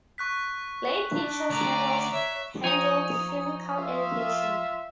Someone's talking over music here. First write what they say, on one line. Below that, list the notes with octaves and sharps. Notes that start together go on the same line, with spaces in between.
Lay teachers handled physical education.
C#6 F#6 B6
D4
D2 D5 A#5
C#4
C#5 E5
F3 D#4 G#5 C#6 D#6
F4 E5